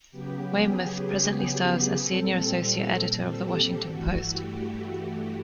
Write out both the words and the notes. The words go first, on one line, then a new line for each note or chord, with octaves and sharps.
Weymouth presently serves as Senior Associate Editor of the Washington Post.
C#3 F#3 B3 G4
G#4
G#4
A#2 G3 C4 A4
G4
G2 E3 A3 F#4
G4
G4